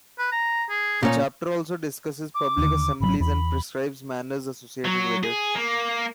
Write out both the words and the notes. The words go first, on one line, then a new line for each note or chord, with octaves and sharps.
The chapter also discusses public assemblies and prescribes manners associated with it.
B4
A#5
G#4
A#2 C#4 D#4
D6
D#2 D3
G#1 C#3 F#3 B5
E2 B5
F#3
G#4
A#3